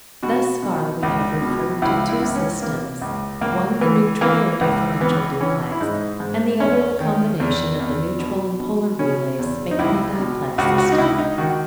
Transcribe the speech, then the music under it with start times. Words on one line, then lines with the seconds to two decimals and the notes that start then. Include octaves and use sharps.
Thus far we have referred to two systems, one the neutral or differential duplex, and the other the combination of the neutral and polar relays, making a diplex system.
0.23 B2 F#4
0.63 B2
1.03 C#2
1.42 B2
1.82 C#2 E4
2.09 E4
2.22 C#2
2.35 C#4
2.62 E3 A#3
3.01 C#2
3.41 C#2 A#3
3.81 E3
4.21 E3 A#3
4.61 C#2
5.01 E3 B3
5.40 E3 C#4
5.72 E4
5.81 G#2 D#4
6.20 G#2
6.60 E2 C#4
7.00 D#3
7.40 E2
7.80 E2
8.19 B2
8.59 B2
8.99 B2 C#4
9.39 E2
9.71 D#4
9.79 C#2 E4
10.19 B2
10.58 C#2 F#4
10.78 F#4
10.92 D#4
10.98 C#2 E4
11.18 D#4
11.38 D#3 F#4